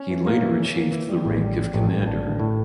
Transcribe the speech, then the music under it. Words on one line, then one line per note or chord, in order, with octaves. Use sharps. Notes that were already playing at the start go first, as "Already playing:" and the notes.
He later achieved the rank of commander.
Already playing: C#4
E3
A#3
E3
C#4
A#3
E3
G3
A1
G3
G3
A1
A1
D4
A1
A2